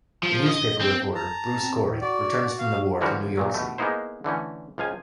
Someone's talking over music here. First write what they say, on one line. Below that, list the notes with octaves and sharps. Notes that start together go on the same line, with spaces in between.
A newspaper reporter, Bruce Corey, returns from the war to New York City.
F3
D#5
C4
A5 A#5
C4
A2
F#4 D5
F5
D3 E3 F3 G3 F#4 A#4
G2 A#2 F#3
B2 A3
G#3 A#3 B3 D#4 E4 C5
D3 E3 A3 C#4
C#2 F3 F5 G#5